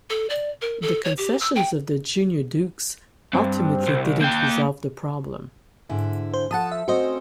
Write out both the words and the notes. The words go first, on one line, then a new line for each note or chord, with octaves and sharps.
The concessions of the Junior Dukes ultimately didn't resolve the problem.
A4
D5
A#4
A4
C#5
G4
E6
G5
G2 C4
C2
A#3 G5 G6
G#2 D3 E4
C5
F3 A4 F#5 A5 D#6
E5
A3 C4 C#4 F#4 C5 D#5